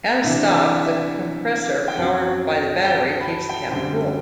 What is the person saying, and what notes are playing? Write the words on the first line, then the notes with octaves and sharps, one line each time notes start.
At a stop, the compressor powered by the battery keeps the cabin cool.
C3 E3 B3 D4 E5
D5
E5
G5
F#2 F#3 C4 F#5
A5
G5
A5
B5
A5
G5
F#2 D3 G3 C4 G5